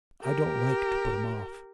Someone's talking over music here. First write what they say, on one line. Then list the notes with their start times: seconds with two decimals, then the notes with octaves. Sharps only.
I don't like to put him off.'
0.21 G4 A#4